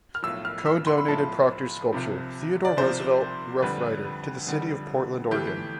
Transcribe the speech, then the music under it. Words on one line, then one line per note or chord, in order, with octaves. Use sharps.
Coe donated Proctor's sculpture, "Theodore Roosevelt, Rough Rider", to the city of Portland, Oregon.
F6
B1 A2 F3 E6
F6
E6
C6
B5
B1 A2 F3 A5
C2 C3 F3
D5
C2 C3 F3 C5
F2 D3 G3 B4
F2 D3 G3
G1 F2 E3 A3 G4